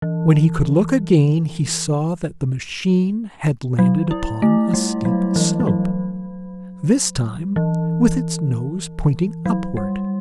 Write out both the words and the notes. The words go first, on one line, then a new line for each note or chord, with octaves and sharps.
When he could look again, he saw that the machine had landed upon a steep slope, this time with its nose pointing upward.
E3
F#3
E4
A3
G3
F#3
E3
E3
F#3
E3
F#3
G3